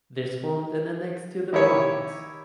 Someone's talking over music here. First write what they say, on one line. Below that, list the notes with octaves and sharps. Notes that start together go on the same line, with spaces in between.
This formed an annexe to the pump house.
D#3 E4 G4 C#5